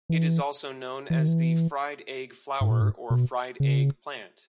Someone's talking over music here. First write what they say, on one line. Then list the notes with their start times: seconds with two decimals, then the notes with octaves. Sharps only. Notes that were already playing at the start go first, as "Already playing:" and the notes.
It is also known as the "fried egg flower" or "fried egg plant".
0.09 E3
1.10 E3
1.19 D#3
1.28 E3
2.61 G#2
2.70 A#2
2.81 G#2
3.10 B2
3.60 C#3